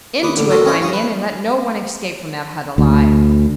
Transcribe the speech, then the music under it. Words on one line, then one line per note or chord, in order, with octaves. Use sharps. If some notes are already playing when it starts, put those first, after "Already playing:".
"Into it, my men, and let no one escape from that hut alive!"
D#2 B4 D6 D#6
A1 D3 D6
A2 F#4 A4 A#4 C6
C4 C#4 C#5 D#5 F5 B5
G2 F5 C#6 D#6
B4
D2